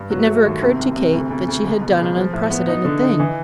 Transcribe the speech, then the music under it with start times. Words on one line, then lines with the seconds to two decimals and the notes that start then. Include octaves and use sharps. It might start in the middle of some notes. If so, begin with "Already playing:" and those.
It never occurred to Kate that she had done an unprecedented thing.
Already playing: G2
0.11 F#3
0.27 A3
0.45 D#2
0.62 C3
0.80 C2
0.96 C3
1.13 D2
1.31 D2
1.48 D2
1.64 C#2
1.82 B2
1.99 C#2
2.16 F3
2.33 A2
2.50 B3
2.68 D#4
2.85 D3
3.02 D#4
3.19 E3